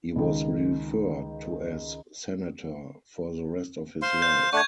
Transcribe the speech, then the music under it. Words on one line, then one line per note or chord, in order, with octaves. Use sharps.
He was referred to as "Senator" for the rest of his life.
C#2 D#3
C5 F5 C6
G6
A3 D4 F#5 C#6 G#6